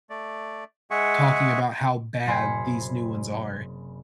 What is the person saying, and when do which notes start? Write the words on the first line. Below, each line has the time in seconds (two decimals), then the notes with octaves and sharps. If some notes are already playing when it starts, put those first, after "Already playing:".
talking about how bad these new ones are.
0.10 A3 D5
0.91 G#3 G#4 E5 F#5 C#6
2.26 F#1 C3 C5 G#5 B5 C#7